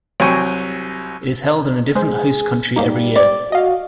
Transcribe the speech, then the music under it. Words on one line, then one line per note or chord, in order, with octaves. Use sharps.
It is held in a different host country every year.
C2 F#3 G5 G#5 C#6
G#3 G#4 C5
G#2 G3 A#3 D#4
D5
F#4 D#5 F5